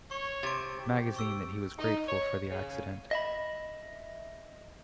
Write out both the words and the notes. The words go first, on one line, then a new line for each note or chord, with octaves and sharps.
Magazine that he was grateful for the accident.
C#5 C#6
C3 A6 D7
G4
C#6 E6 D7
D#4
C#5
C#3
D#5 E5 B5